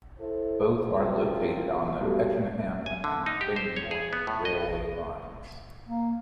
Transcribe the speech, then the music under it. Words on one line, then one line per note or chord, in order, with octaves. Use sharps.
Both are located on the Pakenham and Cranbourne railway lines.
E4 A4 C5
F#2 C3 F3
B1 G2 A3
G#5
D3
D#4
G4
C5
C#5
G#4
B3
A2
D#5
A#3